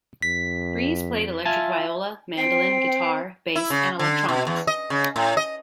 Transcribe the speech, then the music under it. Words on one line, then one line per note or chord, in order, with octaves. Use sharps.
Breeze played electric viola, mandolin, guitar, bass and electronics.
F2 B6
F4 E5 G#5 A5
C4 G5 C7
E4
C#3
D3
B2
E2
D#5
C#3
A2
D#5